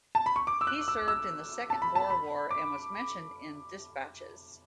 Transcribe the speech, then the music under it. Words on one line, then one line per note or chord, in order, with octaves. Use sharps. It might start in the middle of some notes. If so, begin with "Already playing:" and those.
He served in the Second Boer War and was mentioned in dispatches.
A5
B5
C#6
D6
E6
F#6
E6
E6
A5
B5
A5
B5
D6